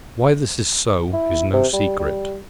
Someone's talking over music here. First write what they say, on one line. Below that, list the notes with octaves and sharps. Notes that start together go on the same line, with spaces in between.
Why this is so is no secret.
E4
C3
G3
G3